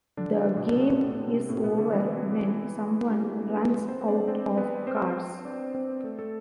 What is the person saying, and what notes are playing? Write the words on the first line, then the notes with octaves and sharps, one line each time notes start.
The game is over when someone runs out of cards.
D3 D4
B2 B3
C3 C4
B2 B3
A2 A3
B2 B3
C3 C4
A2 A3
B2 B3
D3 D4
E3 E4
G3 G4
A3 A4
B3 B4
B3 B4
C4 C5
D4 D5
C4 C5
B3 B4
C4 C5
D4 D5
C4 C5
A3 A4
A3 A4